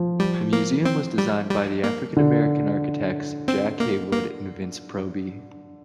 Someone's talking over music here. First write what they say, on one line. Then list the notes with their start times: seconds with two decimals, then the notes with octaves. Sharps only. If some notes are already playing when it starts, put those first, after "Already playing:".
The museum was designed by the African-American architects Jack Haywood and Vince Proby.
Already playing: F3
0.20 G3
0.53 A#3
0.85 C4
1.18 G3
1.51 G3
1.84 A#3
2.17 D3
3.48 C4
3.80 A#3
4.13 A#3